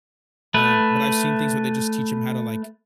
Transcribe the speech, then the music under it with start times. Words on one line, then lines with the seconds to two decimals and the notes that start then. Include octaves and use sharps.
Um, but I've seen things where they just teach 'em how to, like,
0.54 A3 B4